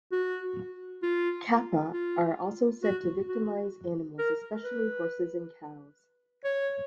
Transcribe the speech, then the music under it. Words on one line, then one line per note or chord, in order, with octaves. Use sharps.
"Kappa" are also said to victimize animals, especially horses and cows.
F#4
F4
F4
F#4
F#4
A#4
B4
C#5